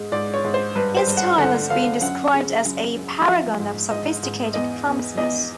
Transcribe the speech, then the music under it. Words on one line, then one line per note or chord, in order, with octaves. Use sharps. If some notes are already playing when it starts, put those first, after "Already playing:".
His style has been described as "a paragon of sophisticated clumsiness".
Already playing: G#2 G#3
G#2 D5
C#5
G#2
C5
G2 B4
C5
G2
F#5
D3 F#5
D3 F5
F#2 F#5
C#3
F#2
F#2
F3 E5
G#2
G#2 D#5
G#2
E2 D#5
E2
E2 D#5